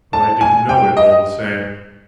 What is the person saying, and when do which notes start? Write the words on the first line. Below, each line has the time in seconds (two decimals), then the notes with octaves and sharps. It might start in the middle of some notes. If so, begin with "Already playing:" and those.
But I didn't know it, all the same.
0.13 A5
0.41 G#5
0.69 G5
0.97 D#5